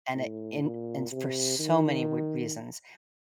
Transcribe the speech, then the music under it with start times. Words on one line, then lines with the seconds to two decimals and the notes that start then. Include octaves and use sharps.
and it in in for so many good reasons,
0.16 A2
0.64 A#2
1.12 C3
1.59 D#3